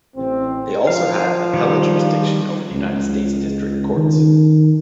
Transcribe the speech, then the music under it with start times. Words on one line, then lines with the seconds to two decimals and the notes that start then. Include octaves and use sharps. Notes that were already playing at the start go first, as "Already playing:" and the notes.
They also had appellate jurisdiction over the United States district courts.
0.16 A1 C4
0.87 F3 F5
1.54 D#3 G3
2.72 C#2
3.96 D#3